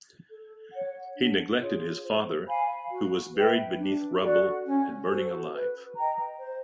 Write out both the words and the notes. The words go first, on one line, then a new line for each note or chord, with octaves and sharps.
He neglected his father, who was buried beneath rubble and burning alive.
A4
C#5 F#5
D4
F4 G#4 C#5
C5
F5 G#5 B5
F#4
B4 E5 G5
D4
F#4 A4 D5
C#4
F#4 A4 C5
B4
D#5 G5 A#5
C5